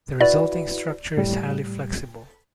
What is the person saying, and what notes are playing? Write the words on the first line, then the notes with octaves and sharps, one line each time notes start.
The resulting structure is highly flexible.
E4 F#4 B4 D5
A2 G3